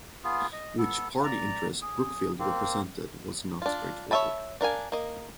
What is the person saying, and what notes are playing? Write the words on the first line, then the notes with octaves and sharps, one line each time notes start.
Which party interest Brookfield represented was not straightforward.
B3 F4 G#4
D#5
B3 A4
D5 A#5
G#4
A#3 C4
D4 F4
C#5 D#5 E5 A5 B5
D4 A#4 F5 G#5
A#3 D#5